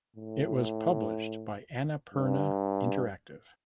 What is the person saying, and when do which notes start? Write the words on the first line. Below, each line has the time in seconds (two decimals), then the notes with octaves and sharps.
It was published by Annapurna Interactive.
0.16 A2
2.14 G2